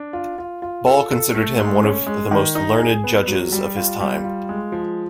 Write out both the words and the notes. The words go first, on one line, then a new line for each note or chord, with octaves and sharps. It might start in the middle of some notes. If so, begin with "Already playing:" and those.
Ball considered him one of the most learned judges of his time.
Already playing: D4
F4
F4
F4
A4
A4
A3
G#3
C#4
G#3
D#3
D#4
G#4
B3
F#3
G3
F4
G3
F4
G#3
F3